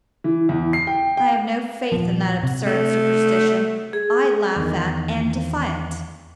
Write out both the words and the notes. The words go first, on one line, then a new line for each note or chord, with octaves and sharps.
I have no faith in that absurd superstition--I laugh at and defy it.
E3
E2
C7
G5
G5
D#1 A#1 F3
C3
A3
G#4
E2 D#3